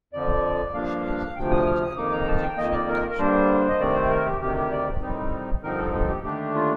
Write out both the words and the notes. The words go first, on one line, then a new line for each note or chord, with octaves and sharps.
She is a French and Egyptian national.
F2 D3 F3 D5
G2 F3 A#3 D4 F5
D2 C3 F3 G5
D#6
F6
D#6
F2 D#3 A#3 D#4 D6
A#5
A5
G5
F2 D#3 A#3 D#5
D5
A#4
A#4
G2 D3 G3 A#3 D4 C5
D#5
C3 D#3 A3 C4 D5
C5
A#4
G4
D2 C3 D#3 G4
G4
D5
A2 G3 C4 D#4
G2 D3 F3 C4 D#4 A#4
A4
A4
G4
D#2 D3 A3 D4 G4
F4